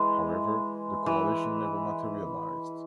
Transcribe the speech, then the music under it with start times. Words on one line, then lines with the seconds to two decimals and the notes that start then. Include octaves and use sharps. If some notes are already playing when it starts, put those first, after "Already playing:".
However the coalition never materialised.
Already playing: E3 G#3
1.06 E3